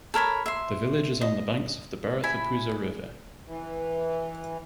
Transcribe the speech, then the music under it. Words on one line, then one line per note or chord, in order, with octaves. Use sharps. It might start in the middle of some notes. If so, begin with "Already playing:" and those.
The village is on the banks of the Bharathappuzha river.
A4 A#4 C#5 B5
E5 C6
D#5
E4 G#5 B5
E3